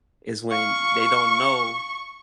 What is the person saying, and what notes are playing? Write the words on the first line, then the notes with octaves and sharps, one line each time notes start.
is when they don't know,
F5 C#6